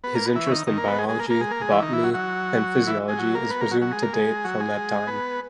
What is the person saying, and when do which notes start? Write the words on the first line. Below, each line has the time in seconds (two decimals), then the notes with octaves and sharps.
His interest in biology, botany and physiology is presumed to date from that time.
0.04 B3 B4
0.15 A#3 A#4
0.25 B3
0.36 E3 E4
0.46 C#4
0.52 D#3 D#4
0.67 D#3 D#4
0.77 A#3 A#4
0.88 B3 B4
0.98 G#3 G#4
1.09 G#3 G#4
1.19 A#3 A#4
1.30 A#3 A#4
1.40 G#3 G#4
1.51 A#3 A#4
1.61 G#3 G#4
1.71 E3 E4
1.82 D#3 D#4
1.93 E3 E4
2.03 F#3 F#4
2.14 F#3 F#4
2.87 E3 E4
3.08 G#3 G#4
3.18 F#3 F#4
3.34 A#3 A#4
3.50 B3 B4
3.61 A#3 A#4
3.71 F#3 F#4
3.81 F#3 F#4
3.92 G#3 G#4
4.03 A#3 A#4
4.13 G#3 G#4
4.44 F#3 F#4
4.60 G#3 G#4
5.07 B3 B4